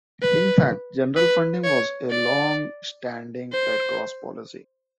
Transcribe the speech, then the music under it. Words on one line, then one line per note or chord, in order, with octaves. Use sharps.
In fact, general funding was a long-standing Red Cross policy.
B4
B4
C#5
D5
C5